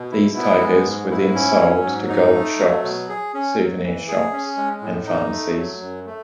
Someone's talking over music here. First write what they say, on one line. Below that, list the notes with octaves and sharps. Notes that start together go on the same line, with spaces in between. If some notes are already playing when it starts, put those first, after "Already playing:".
These tigers were then sold to gold shops, souvenir shops, and pharmacies.
Already playing: B2
E4
B3
G#3
G#2
E4
C#4
F#3
G#2
D#4
A3
F#3
B2
G#4
C#4
F#3
E3
G#4
C#4
G#3
A2
D#4
A3
F#3
F#2
A3